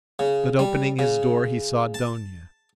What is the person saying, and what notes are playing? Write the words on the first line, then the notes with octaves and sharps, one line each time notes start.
But opening his door he saw Dounia.
C#3
G3
C#3
A5